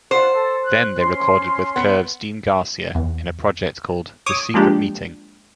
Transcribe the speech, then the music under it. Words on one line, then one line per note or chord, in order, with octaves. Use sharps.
Then they recorded with Curve's Dean Garcia in a project called "The Secret Meeting".
F4 C5 F#5
A4
F#6
C#4 C6
B3
E2
C#5 D6 D#6
F3 G#3 A#3 D4 G4